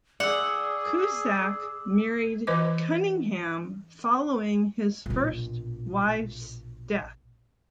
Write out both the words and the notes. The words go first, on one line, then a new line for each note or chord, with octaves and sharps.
Cusack married Cunningham following his first wife's death.
G#4 D5 F#5 D6 E6
E3 B4 C5 D#5 D6
A#1 B2